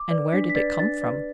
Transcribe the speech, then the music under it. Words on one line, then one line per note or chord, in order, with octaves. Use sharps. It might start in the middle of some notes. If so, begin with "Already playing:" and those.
"And where did it come from?"
Already playing: D6
B4 D5
D4 B6
B6
B4 D5 A6
D4 A6
B4 D5